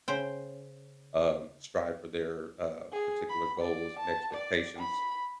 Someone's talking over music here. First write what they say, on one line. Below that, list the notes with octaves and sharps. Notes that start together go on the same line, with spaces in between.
um, strive for their, uh, particular goals and expectations.
C#3 C5 G5
G#4
B5
D5
A5
D5
B5